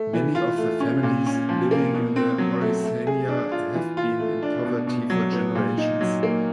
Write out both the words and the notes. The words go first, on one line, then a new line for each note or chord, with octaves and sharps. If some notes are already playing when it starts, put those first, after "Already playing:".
Many of the families living in Morrisania have been in poverty for generations.
Already playing: A3
E3
F4
A3
C#4
A#2
C#4
F3
A#3
B2
C4
F#3
A3
A3
G#4
D4
F4
E3
F4
A3
D4
B2
B2
F#3
B3
A#2
D#4
F#3
A#3